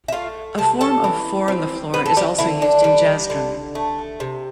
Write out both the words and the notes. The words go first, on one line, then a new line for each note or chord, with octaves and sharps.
A form of four-on-the-floor is also used in jazz drumming.
E5
A3 F4 F5
C3 A5
A4 A5
E3
C4
B3 C4 B4
A4
G3 G4
D3 E4
D4
G3
D3
A3
C3